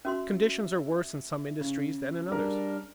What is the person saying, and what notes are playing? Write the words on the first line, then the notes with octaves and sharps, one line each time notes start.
Conditions are worse in some industries than in others.
C#4 F#4 E5 C6
C#3
G3 D4 G#4 A#4